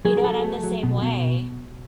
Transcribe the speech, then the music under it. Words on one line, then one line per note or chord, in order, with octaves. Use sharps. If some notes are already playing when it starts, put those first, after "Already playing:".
You know what? I'm the same way.
F#3 G#4
A#4
F#3 A4
A3
F#3
B2
B2